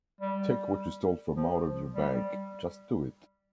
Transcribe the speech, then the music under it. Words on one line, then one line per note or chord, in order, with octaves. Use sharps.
Take what you stole from out of your bag. Just do it.
G3
F3
G3